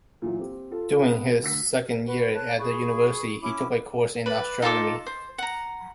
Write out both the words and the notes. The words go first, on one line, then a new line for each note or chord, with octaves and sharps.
During his second year at the university he took a course in astronomy.
A#2 E3 F#3
C4 G4
F4 A4
B3
D2 E6 B6
F#4 B4
C#5 A5 F#6
G#4 B5 C#6
C#4 E4 D6
B4 D5
D#4 F4 A4 D6
C5
F#5 A#5